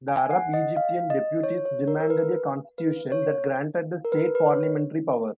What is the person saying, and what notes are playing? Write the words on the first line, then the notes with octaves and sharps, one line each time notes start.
The Arab-Egyptian deputies demanded a constitution that granted the state parliamentary power.
G#5
F#5
D#5
F5
D#5
C#5
C#5
A#4
A#4
B4
B4
C#5
A#4
B4
B4
C#5